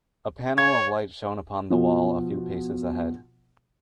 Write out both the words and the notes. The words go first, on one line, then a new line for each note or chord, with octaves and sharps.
A panel of light shone upon the wall a few paces ahead.
C#5 G#6
B2 F3